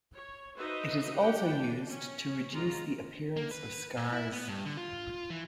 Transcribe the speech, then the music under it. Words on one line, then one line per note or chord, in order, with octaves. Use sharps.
It is also used to reduce the appearance of scars.
C#5
D#4 F#4 B4 C5 D#5 E5
G4 F#5 G5
D4
C#4
G#3 F4 F#4 A#5
A#3
B4
A#2
E4
B3
G2
D3
F4
E3